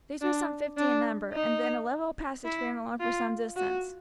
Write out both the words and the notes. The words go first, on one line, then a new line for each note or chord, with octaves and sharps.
These were some fifty in number, and then a level passage ran along for some distance.
D4
D4
D#4
E4
F4
F#4